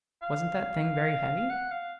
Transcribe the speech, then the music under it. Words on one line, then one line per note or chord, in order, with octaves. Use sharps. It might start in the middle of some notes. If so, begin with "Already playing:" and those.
"Wasn't that thing very heavy?"
F5
F#5
F5